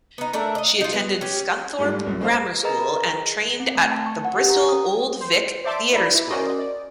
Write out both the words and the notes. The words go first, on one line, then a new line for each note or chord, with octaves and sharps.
She attended Scunthorpe Grammar School and trained at the Bristol Old Vic Theatre School.
B3 D#4
A3 D4 A#4 E5
D5 D#5
D#4 F4
B3
C#4 G4
G#2 G3 A3 F4 G#4
C2 F#2
G#3 A#3 G#4 C5 D#5 F5
G#4 A#4 B4 D#5 A#5
C4
A3
A5
C#6
F#5
G4
A#5
D#6
C5
C5 D5 E5 A5 C6 D6
D#4 E4 D5 B5
E4
C#4 F#4 A#4 C5 D5 D#5
D5